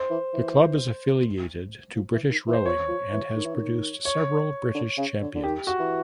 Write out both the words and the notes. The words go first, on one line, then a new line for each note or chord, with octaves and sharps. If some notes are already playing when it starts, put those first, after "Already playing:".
The club is affiliated to British Rowing and has produced several British champions.
Already playing: C5
E3
E3
F3
E3
D#3
E3
C5
F3 C#5
F3
E3
D#3
E3
D#3
C#5
D3
C#3
D3
D3
D#3 G4
F#4
E3